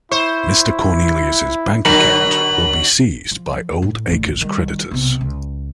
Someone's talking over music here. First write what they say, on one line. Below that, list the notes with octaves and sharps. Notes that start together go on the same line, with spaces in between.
"Mr. Cornelius"'s bank account will be seized by Oldacre's creditors.
E4 C5 C#6
B2 D3 F#3 A#4 A#5 B5 F#7
F3
A2
A1 D2
D#3 G3
B1 C3
C#2